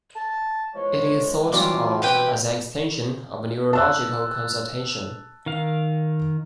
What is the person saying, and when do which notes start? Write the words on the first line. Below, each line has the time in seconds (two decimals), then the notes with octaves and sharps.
It is thought of as an extension of a neurologic consultation.
0.16 A5
0.75 E2 F3 G#3 C#5
1.52 E3 F#3 G3 F4 D6
2.02 B2 C4 G4 B4 G5
3.73 A5 E6 F#6
5.46 D#3 F5